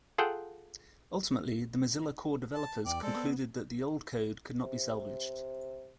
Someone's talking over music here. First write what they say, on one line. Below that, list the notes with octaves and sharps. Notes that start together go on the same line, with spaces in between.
Ultimately, the Mozilla core developers concluded that the old code could not be salvaged.
F4 G#4 A4 F#5 G5
A5
E2 D5 G5
G#3 C4 A4 D5
B3
C3